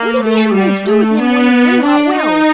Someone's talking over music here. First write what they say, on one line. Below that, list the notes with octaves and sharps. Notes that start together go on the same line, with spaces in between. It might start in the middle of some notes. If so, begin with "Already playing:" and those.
"What did the animals do with him when his wing got well?"
Already playing: A#3
A3
G3
A3
B3
D4
D#4